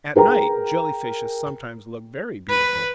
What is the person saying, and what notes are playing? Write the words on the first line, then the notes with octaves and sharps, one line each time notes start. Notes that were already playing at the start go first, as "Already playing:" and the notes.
At night Jelly-fishes sometimes look very beautiful.
G#4 A#4 G5 A#5
B4